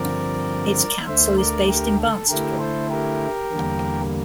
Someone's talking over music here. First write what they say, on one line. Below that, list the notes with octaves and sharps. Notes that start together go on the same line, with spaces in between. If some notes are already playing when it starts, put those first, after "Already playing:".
Its council is based in Barnstaple.
Already playing: G2 D3 F3 C4 A#4 D5
D2 D3 A3 C5 E5
A#4 D5
G4 A#4
A4
D3 A3 E4 G4 A#4
A4 C5
G4 A#4
E2 D3 G3 A#3